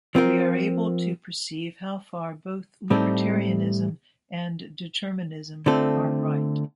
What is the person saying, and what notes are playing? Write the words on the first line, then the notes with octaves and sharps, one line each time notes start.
We are able to perceive how far both libertarianism and determinism are right.
F3 C4 F4 A#4
A2 G3 C4 D#4 A4
D3 A3 C4 F4 A4